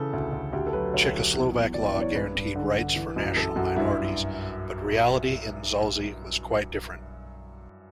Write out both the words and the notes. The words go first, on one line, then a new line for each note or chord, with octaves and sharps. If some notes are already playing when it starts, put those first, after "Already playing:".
Czechoslovak law guaranteed rights for national minorities but reality in Zaolzie was quite different.
Already playing: C#3 E3 A4
D2
D2
D2 G4
A4
F#3 B4
D2 C#5
F#3
E2
E2
E3 D5
D5
E2
C#5
G2 B4
G2
D3
D3
E3
F#2
F#2 A4
F#2 F#4
G2 E4